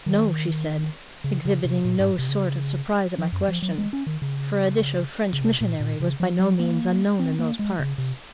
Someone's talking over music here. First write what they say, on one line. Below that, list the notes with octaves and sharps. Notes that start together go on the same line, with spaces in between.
"No," she said; exhibiting no sort of surprise at my question, for a dish of French missionary was by no means unknown in those parts.
D#3
C#3
C#3
C3
A#2
G#2
C3
C#3
F3
F#2
F3
F#3
G#3
C#4
D#3
C#3
C#3
C3
A#2
A#2
C#3
F3
F#3
A#3
C4
A#3
G#3
C#3
C3